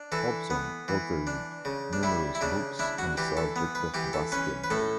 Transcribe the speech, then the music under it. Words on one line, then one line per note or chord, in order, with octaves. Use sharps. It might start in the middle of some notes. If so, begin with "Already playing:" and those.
Hobson authored numerous books on the subject of basketball.
Already playing: D4
E3 A4
B3
E3
D4
C#3
D4
G3 E4
E4
C#3 D4
D4 E4
F#4
E3 G4
A4
B3
B4
E3 G4
A4
C#4 B4
B4
A2 A4